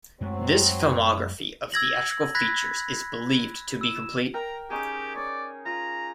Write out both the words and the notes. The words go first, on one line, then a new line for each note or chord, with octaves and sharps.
This filmography of theatrical features is believed to be complete.
F#2 F#3 G#3 A3 C4
E6 G#6 A#6 F#7
B5 F#6 G#6 A#6 B6
E6 E7
A#4 G5 A#5
C#4 D#4 G4 G#4
C#5 D5
F4 A#5